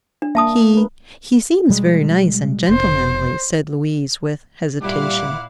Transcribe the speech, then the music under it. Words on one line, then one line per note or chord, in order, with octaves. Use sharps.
"He--he seems very nice and gentlemanly," said Louise with hesitation.
D4
A#3 D4 E5 A5 D#6
A#4 B4
B2 G3 G#3
F1 C5
A#2 G3 E4 F5 F#5 D6